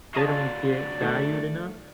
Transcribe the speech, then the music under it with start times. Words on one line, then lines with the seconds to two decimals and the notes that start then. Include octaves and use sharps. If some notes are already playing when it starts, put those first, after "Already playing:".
they don't get valued enough
0.14 D3 F#3 F4 D5 D#5 F5 G#5 A5
0.68 D5
1.01 D#3 A3